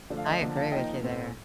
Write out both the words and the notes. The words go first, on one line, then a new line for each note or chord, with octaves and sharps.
I agree with you there.
D3 F3 A3 D4
F5
D#5
D3 F3 A#3 D4
F5 A5
F3 A#3 D#4 D#5 G5
A2 A3 C4